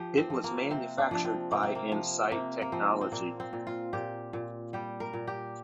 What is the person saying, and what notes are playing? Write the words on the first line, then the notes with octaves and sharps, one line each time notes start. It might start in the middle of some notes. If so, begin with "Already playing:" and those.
It was manufactured by Insight Technology.
Already playing: F3 G4
C4
F3
A#3
C3 C4
D4
F3 D4
C4
C3 A#3
C4
A#3
F3
C3 A#3
A#3
F3 C4
C4
A#2 A#3
C4
A#2
F4
A#2 G4
A#2
G3 G4
A#4
A#2
G4